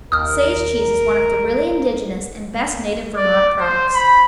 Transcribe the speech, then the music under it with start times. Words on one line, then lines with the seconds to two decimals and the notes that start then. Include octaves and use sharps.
Sage cheese is one of the really indigenous and best native Vermont products.
0.12 D#2 A#4 D#6 F6
3.16 D5
3.59 C5
3.94 B5